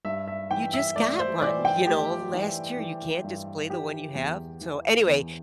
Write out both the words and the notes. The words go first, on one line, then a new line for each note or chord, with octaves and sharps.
you just got one, you know, last year you can't just play the one you have. So, anyway,
G2 E5
E5
E3 G5
E5
A3 D5
C5
E3 D5
G5
A3 G4
E3
E3
G2
E3 G4
E2
E3
E2